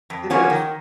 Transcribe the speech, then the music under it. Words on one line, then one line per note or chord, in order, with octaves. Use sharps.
It is.
F2
F3 A#3 C#4 F#4
D#3